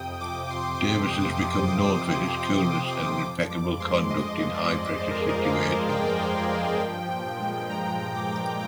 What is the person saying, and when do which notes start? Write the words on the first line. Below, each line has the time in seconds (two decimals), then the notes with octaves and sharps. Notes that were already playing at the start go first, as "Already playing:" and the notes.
Davis has become known for his coolness and impeccable conduct in high-pressure situations.
Already playing: F2 C3 G5 D#6
0.21 F3 D6
0.50 F2 C6
0.80 C3 D6
1.10 F2 D#6
1.40 F3 D6
1.71 F2
2.00 C3
2.30 F2
2.61 F3
2.90 F2
3.20 F3
3.50 G2 D6
3.80 G#3 C6
4.10 G2 D#5
4.40 F3
4.55 D5
4.70 G2
5.00 G#3 C5
5.10 A#4
5.21 G#4
5.29 G2 A#4
5.45 F5
5.59 F3
5.90 G2 G5
6.19 G#3
6.49 G2
6.80 F3
7.09 A#2
7.40 G#3
7.69 A#2 A#5
7.99 F3
8.15 D6
8.30 A#2